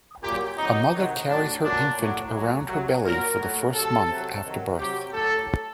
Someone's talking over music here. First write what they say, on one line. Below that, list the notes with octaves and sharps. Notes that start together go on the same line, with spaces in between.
A mother carries her infant around her belly for the first month after birth.
A#2 F#3 G4
C3 D#3 F#3 D#4
C3 D#3 F#3
A2 F#3 D4
A#2 F#3 D4
A2 F#3
A2 F#3
C3 F#3
A#2 F#3 A#4
A2 F#3
C3 F#3 A4
C3 F#3
C3 D#3 F#3
C3 F#3 G4
A2 F#3 A4